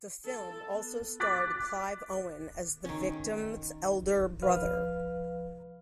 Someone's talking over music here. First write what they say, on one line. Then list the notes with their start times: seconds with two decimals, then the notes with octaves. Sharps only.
The film also starred Clive Owen as the victim's elder brother.
0.25 A4
0.73 B3
1.20 D6 F#6 A6 B6
2.85 D#3 C#4
4.42 C2 F3 B4 F5 F6